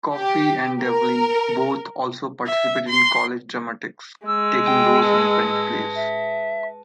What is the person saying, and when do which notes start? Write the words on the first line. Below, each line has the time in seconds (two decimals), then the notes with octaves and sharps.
Coffey and Devlin both also participated in college dramatics, taking roles in French plays.
0.13 G4
0.81 A#4
2.46 E5
2.89 C6
4.26 G#3 E6
4.67 G5
5.03 B4 A5
5.95 E5